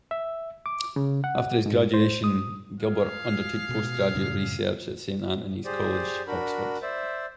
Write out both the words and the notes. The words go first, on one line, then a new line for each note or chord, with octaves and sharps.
After his graduation, Gilbert undertook postgraduate research at Saint Antony's College, Oxford.
E5
D6
C#3
F#5
G#2
C5
D#6
G#4 F5
B2
F#2 A2 C#3
G4 G#4 C5 D5
D4 F#4 A#4 B5
C5 D5 E5